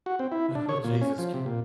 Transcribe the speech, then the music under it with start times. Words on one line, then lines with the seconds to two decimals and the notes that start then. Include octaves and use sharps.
Oh, Jesus.
0.06 F#4
0.19 C4
0.32 E4
0.55 D4
0.69 C#5
0.84 A#2
1.01 C#4
1.18 F3
1.34 C3
1.46 A#2